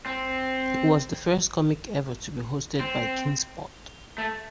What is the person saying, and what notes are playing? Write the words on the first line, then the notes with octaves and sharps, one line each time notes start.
It was the first comic ever to be hosted by Keenspot.
C4
C4
A3